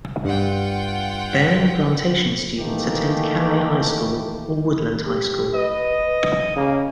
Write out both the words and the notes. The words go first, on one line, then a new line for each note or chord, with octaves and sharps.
Baring Plantation students attend Calais High School or Woodland High School.
G2 F4 F#5 G5
D#3 E3 A3 A#3 G4
G4
B4 D#5
C#3 A#3